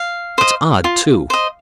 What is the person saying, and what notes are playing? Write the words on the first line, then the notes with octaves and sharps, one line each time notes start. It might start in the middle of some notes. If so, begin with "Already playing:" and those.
It's odd, too.
Already playing: F5
C5 D#5
F4
C5 D#5